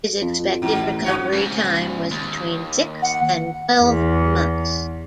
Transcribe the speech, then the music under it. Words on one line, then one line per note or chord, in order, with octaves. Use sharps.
His expected recovery time was between six and twelve months.
F2
A1 G#2
G2 F#4 C#5
G#2 C#3
D#2
F#5
E2